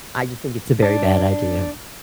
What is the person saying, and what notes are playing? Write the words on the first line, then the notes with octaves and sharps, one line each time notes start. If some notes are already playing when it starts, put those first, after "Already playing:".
I just think it's a very bad idea.
D4